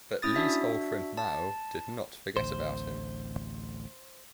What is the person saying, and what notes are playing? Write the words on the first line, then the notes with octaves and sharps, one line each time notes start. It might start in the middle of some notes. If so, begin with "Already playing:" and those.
But Li's old friend Mao did not forget about him.
C#4 E4 D#6 A6
D4 F#4 E5
A5
A1 D2 C5